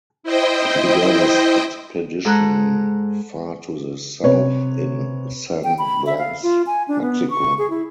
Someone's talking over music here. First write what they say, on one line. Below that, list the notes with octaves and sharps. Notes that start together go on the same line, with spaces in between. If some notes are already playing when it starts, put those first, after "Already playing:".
He began his expedition far to the south in San Blas, Mexico.
E4 C5 D#5 G5
G#2 A4 A#5 F#6
C3 B4 C#5
G5
B5
E5
F5
F4
G#5
D4
B3
C#6
G#4
E4